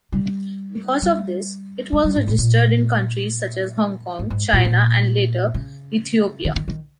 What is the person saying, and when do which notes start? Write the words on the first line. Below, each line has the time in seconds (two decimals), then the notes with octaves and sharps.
Because of this, it was registered in countries such as Hong Kong, China and later, Ethiopia.
0.12 G3
1.02 G3
1.93 G#3
2.04 G3
2.16 G#2
2.28 A#2
2.38 A#2
4.19 G#2
4.30 G#2
4.53 A#2
4.65 A#2
5.54 C#3
6.45 D#3
6.56 D#3
6.68 D#3